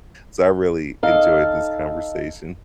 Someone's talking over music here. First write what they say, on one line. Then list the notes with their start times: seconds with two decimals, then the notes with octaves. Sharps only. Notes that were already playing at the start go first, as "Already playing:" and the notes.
so I really enjoyed this conversation.
1.03 D#4 A4 F5